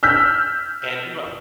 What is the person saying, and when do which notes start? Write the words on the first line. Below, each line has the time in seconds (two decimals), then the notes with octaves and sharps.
And, you know what?
0.03 E6 F6 G6 B6